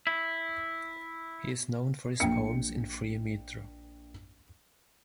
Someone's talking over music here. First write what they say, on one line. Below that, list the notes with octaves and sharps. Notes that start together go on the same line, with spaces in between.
He is known for his poems in free metre.
E4
A#1 G5 C#7